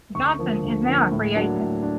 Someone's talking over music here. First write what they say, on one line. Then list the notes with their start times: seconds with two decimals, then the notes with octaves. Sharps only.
Johnson is now a free agent.
0.15 D2 C#6
0.39 D3 F3 A#3
0.63 D2
0.87 D3 F3 A#3
1.12 A2
1.36 F#3 A#3 D4
1.59 A2
1.83 D4